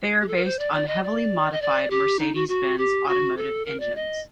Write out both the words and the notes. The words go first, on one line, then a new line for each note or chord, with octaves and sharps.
They are based on heavily modified Mercedes-Benz automotive engines.
G4
A4
A#4
C5
D5
D5
D#5
D5
D#5
D5
G4
D#4
F#4
F#4
G4
F#4
A4
A#4
D5
D#5